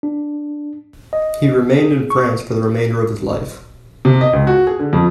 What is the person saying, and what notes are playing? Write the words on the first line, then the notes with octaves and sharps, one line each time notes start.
He remained in France for the remainder of his life.
D4
D#5
G#4
C#6
C3
D#5
C#2
F#4
G#4
D3
F2